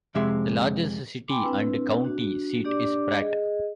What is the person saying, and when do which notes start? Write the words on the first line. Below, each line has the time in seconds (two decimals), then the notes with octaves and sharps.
The largest city and county seat is Pratt.
0.15 F2 C3 G#3 C4 E5
1.28 G5 G#5 B5 C6 D6
1.43 C4 D4 E4 B4
2.05 D4 F#4
2.64 D4 G4 D5 D6
3.18 G#4 D#5